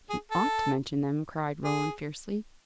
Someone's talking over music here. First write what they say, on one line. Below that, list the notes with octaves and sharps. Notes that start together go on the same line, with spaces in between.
"He ought to mention them," cried Roland fiercely.
G#4
A4
G#4